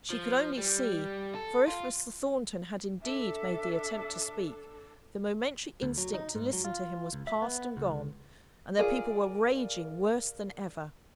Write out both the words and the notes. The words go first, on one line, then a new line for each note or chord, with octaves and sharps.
She could only see; for if Mr. Thornton had indeed made the attempt to speak, the momentary instinct to listen to him was past and gone, and the people were raging worse than ever.
F3
G3
A4
F4
D4 A4 E5
D2
F#3
D#4
G#2
F#3
F4
C#2
E5
B3
C#2
F4 G#4 A#4 D5